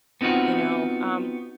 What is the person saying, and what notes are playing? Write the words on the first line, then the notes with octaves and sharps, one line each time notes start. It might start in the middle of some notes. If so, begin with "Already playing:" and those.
you know, um,
B3 C4 D#4 F4 F#4